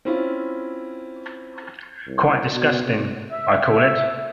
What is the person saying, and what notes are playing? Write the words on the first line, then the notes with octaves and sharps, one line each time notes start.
Quite disgusting, I call it.
C4 C#4 E4 F4
C2
B2
C3
E5